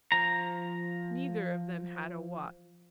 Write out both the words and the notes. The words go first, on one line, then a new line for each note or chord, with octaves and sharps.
Neither of them had a watch.
F3 A#5